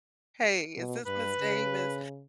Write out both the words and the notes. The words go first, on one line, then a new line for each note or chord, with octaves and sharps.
"Hey, is this Ms. Davis?"
B2
G2 B4
C#3